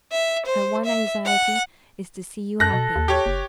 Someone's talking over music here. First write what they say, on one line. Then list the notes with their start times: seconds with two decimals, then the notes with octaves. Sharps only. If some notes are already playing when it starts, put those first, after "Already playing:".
Her one anxiety is to see you happy.
0.12 E5
0.46 C5
0.85 E5
1.26 F#5
2.60 F#2 A4 F#6 A#6
2.73 B2
2.96 D#2
3.08 G4 C#5
3.26 F#1